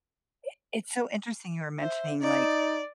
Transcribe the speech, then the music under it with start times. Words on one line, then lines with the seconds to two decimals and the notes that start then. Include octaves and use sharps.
I it's so interesting you were mentioning, like,
1.81 C5 E5
2.22 D#4 D5